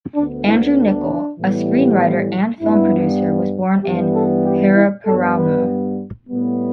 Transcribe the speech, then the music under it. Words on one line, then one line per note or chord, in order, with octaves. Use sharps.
Andrew Niccol, a screenwriter and film producer, was born in Paraparaumu.
D2 D3 B3 D4
E4
D4
A2 E3 G3 B3
G2 G3 B3 E4
G2 E3 G3 B3 G4
A4
G4
E4
G2 G3 B3 A4
B4
A2 G3 B3